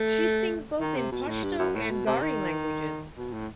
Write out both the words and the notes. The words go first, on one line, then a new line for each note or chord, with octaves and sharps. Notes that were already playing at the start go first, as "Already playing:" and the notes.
She sings both in Pashto and Dari languages.
Already playing: A3
D#3
C3
B2
A2
G2
F#2
A2
B2
C3
D#3
B2
A2